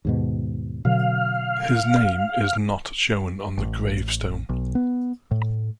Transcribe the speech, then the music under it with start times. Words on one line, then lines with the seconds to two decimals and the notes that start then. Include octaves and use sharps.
His name is not shown on the gravestone.
0.05 D#2 G#2 B2
0.85 B2 D3 F#3 F5
3.57 A1
4.49 B1
4.75 B3
5.31 A2